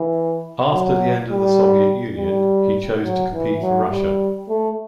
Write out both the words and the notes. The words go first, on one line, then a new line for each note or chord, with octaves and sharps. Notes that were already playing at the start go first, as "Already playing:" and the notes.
After the end of the Soviet Union, he chose to compete for Russia.
Already playing: E3
F#3
G3
G3
F#3
E3
F#3
G3
A3